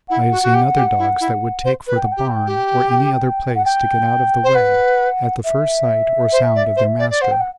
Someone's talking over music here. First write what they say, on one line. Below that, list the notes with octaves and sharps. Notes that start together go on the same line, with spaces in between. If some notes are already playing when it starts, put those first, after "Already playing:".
I have seen other dogs that would take for the barn or any other place to get out of the way at the first sight or sound of their master.
E4 F#5
F#4
F#4
G4
G4
E4
E4
C5
B4
G5
F#5
G4 G5
G4
F#5
G5
C5
B4 F#5
E5
C5
D5
C5
D5
D5
C5 F#5
G5
F#5